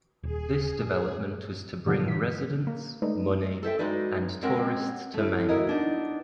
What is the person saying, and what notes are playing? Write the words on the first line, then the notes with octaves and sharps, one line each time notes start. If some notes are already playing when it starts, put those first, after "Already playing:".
This development was to bring residents, money, and tourists to Maine.
D#1 G#4
A#2
G#2 B2 D3 F3 F#3 A#3
A#2 E3 B6
A#3
G#3 A3 D#4 B4 D5
A4 C5 E5 G5
G#3 D#4 F#4 B4 D5
G#3 C4 C#4 A#4 C#5 F#5
A3 E4
E4 F#4 A#4 C#5 D#5
B3 D4 D#4